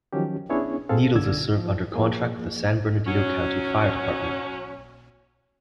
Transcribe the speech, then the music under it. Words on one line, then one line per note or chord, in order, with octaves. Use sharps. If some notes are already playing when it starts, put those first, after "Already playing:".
Needles is served under contract with the San Bernardino County Fire Department.
D#3 F3 F#3 C#4 G4
B3 C#4 D4 E4 G#4 C#5
C4 G#4 A4 F5
C2 D3 D5 E6 G#6
F3
F3 A#3 G#4
F#3 C#4